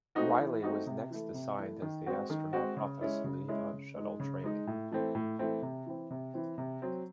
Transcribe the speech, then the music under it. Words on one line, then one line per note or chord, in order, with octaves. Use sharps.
Reilly was next assigned as the Astronaut Office lead on Shuttle training.
A3 C4 D#4 F#4
E3
A3 C4 D#4 F#4
C3
E3 A3
C3
E3 A3
D#3
G#3 C4 F#4
D#3
G#3 C4 F#4
C#3
G#3 C#4 E4
C#3
G#3 C#4 E4
C#3
G#3 D#4
C#3
G#3 D#4
A2
E3 A3 C4
A2
E3 A3 C4
C3
E3 C4
C3
E3 C4
C3
F#3 C4